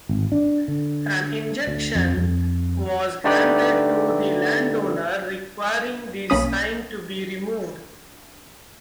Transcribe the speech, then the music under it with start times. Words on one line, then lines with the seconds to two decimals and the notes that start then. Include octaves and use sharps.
An injunction was granted to the landowner requiring the sign to be removed.
0.09 G#1
0.32 D4
0.68 D3
1.67 D2
1.95 F2
2.17 F2
3.24 D3 A3 D#4 G4 B4 D5
6.30 B1 A#3 C#4 B5 D#6